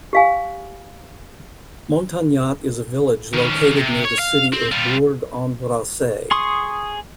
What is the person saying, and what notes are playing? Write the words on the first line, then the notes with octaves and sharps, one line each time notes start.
Montagnat is a village located near the city of Bourg-en-Bresse.
G4 F5 G#5
D#3 C#4
C3
C#5
F5
C4
G3 F4
G#4 C6 C#6 D#6